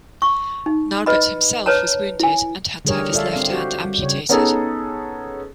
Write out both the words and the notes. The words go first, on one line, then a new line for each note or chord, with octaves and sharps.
Narbut himself was wounded and had to have his left hand amputated.
C#6
D#4
B4 D#5 B5
B4 C#5 A5 A#5
E4 G#5
D3 G3 G4 G#4 A#4 C#5
F4 A4 D5 E5 F5
C4 F5
F#4 G4 C5
G3
C#3 C#5
B3 C#4 D#4 G#4 A4